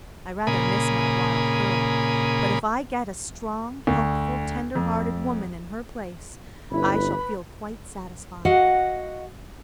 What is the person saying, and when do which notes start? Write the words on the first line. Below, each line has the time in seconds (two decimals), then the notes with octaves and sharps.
I rather miss my wild girl, but if I get a strong, helpful, tenderhearted woman in her place, I shall feel quite satisfied.
0.47 A#2 C#3 A#3 G#5 B5 D#6
3.87 D2
4.75 F2
6.71 G1 C#4 E4 B4 B5
8.45 F#4 D#5 F5 F#5